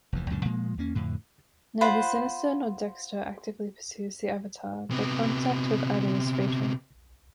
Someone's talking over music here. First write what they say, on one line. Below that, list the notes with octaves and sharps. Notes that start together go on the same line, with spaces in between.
Neither Sinister nor Dexter actively pursues the avatar, but contact with either is fatal.
F1 D#2 E3
C#2 F#2 A#2 D3
A#2 F3 G#3 A#3
E2 A#3 C#4
F2 A2 D3
F4 C5 F#5 B5
C3 B3